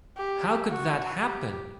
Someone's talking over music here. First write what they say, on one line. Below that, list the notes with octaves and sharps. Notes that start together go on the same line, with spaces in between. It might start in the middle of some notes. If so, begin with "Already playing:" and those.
How could that happen?
G4
F#4
G4